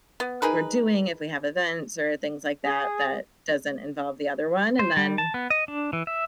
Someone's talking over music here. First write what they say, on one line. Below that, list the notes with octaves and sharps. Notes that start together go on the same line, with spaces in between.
we're doing if we have events or things like that that doesn't involve the other one, and then
B3
D#4 G#4 A#4 B4
G#4
C5
G3
A5
B3
D#5
D4
E3
E5